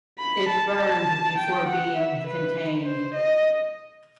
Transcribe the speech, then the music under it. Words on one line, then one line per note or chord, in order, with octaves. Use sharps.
It burned before being contained.
B5
A5
G5
F#5
E5
B4
C5
D#5